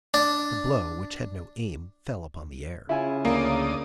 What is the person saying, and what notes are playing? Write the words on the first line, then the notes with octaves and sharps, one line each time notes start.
The blow, which had no aim, fell upon the air.
D4
C#3 E4 F4 G#5
D2 A#3 D5 D#6